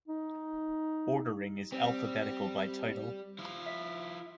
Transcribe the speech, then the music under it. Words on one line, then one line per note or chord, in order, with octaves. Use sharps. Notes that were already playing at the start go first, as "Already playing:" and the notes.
Ordering is alphabetical by title.
D#4
G3 C4
F3 E4
E5